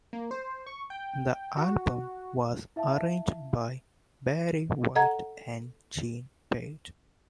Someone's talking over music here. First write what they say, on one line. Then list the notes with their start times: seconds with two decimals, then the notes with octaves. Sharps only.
The album was arranged by Barry White and Gene Page.
0.13 A#3
0.31 C5
0.67 C#6
0.90 G5
1.57 F#4
2.76 E4 E5 F5 A5
4.95 A4 D#5 F#5 A#5 G#6